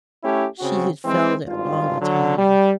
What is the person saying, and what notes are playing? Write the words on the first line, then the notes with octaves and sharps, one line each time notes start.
She had felt it all the time.
A3 C#4 E4 G4
C#3 C4 F#4
E3 G#3 C4
G#1 G2 F4
D3 F#3
G3